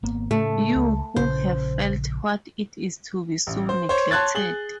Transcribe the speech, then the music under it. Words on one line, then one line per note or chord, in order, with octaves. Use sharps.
You who have felt what it is to be so neglected!
G#1 A#3 B3
A2 C#3 A3
C#2
A#1 C#3 C#4 C5
A1
C5
C5 C#5
C#5 A5 C6 F#6 G#6 A6
G#4 F#7 G7